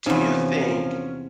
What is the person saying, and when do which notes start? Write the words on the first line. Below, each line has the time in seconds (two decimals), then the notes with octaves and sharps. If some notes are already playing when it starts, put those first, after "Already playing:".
do you think
0.06 E2 C3 F3 C#4 D#4